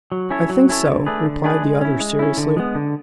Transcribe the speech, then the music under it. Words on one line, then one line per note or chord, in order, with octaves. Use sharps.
"I think so," replied the other seriously.
F#3
C#4 E4 A4 C#5
F#3
C#4 E4 A4 C#5
D3
A3 D4 G#4 B4
D3
A3 D4 G#4 B4
G#3
C#4 E4
G#3
C#4 E4
D3
G#3 B3
D3